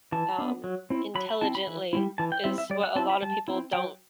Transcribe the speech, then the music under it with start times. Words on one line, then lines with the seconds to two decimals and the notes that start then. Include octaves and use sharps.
um, intelligently is what a lotta people don't
0.12 E3 A5
0.38 B3 D4
0.64 F#3
0.90 C4 E4
1.15 F#3 B5
1.29 B5
1.41 C4 E4 A5
1.55 B5
1.67 E3
1.93 G3 C4 E4
2.18 E3 A5
2.32 G5
2.44 G3 C4 E4 E5
2.58 E5
2.70 G3 D5
2.83 F#5
2.95 C4 E4 A5
3.10 B5
3.22 G3 A5
3.48 C4 E4
3.73 F#3 G5